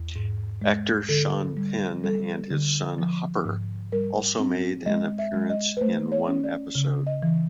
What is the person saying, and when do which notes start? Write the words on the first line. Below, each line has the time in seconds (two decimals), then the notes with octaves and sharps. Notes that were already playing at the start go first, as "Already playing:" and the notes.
Actor Sean Penn and his son Hopper also made an appearance in one episode.
Already playing: E2
0.16 G#2
0.62 G#3
1.09 D3 A4
1.57 G3
2.04 G3 A4
2.51 D3
2.98 F3
3.45 G#2
3.92 G3 A#4
4.39 C4
4.86 G#3 D#5
5.19 E5
5.34 G#3
5.50 D#5
5.77 B4
5.81 A3 C5
6.12 C#5
6.28 C#4
6.44 D5
6.75 C#3
7.07 D#5
7.23 E3